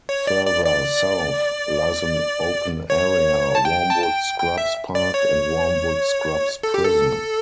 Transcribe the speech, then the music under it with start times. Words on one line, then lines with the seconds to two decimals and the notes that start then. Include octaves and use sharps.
Further south lies an open area, Wormwood Scrubs Park, and Wormwood Scrubs prison.
0.09 C#5
0.27 D5
0.46 D5
0.65 D5
2.90 C#5
3.55 A5
3.65 G5
3.90 A5
4.02 G5
4.39 G5
4.58 E5
4.95 D5
5.14 C#5
6.63 A4
6.74 G4
6.84 A4